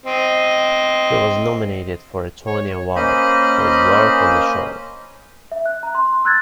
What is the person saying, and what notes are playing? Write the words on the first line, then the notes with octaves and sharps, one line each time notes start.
He was nominated for a Tony Award for his work on the show.
C4 D#5
C#5
A#3 C#4 C5 D#5 B5
E5
F#6
A#5
C6
E6 F#6 G#6 A6